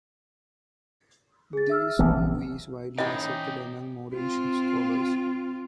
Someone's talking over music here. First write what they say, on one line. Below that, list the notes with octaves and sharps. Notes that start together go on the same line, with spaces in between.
This view is widely accepted among modern scholars.
G#4 A6
E5 E6 F6
A#1 E3 B3
C3 C#4 D#4 E4 G4 G#4 D#5
C4 F4